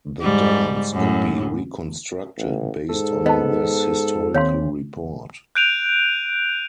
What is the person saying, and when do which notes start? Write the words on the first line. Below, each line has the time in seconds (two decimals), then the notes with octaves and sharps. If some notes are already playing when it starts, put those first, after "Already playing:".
The dance could be reconstructed based on this historical report.
0.21 G#2 G3
0.93 F#2 A2
2.37 A1
2.90 G#2 A4
3.26 B3 D#5 A5
4.34 D#2 C4 C#5 F5 C6
5.55 F#6 G6 D7 D#7 F7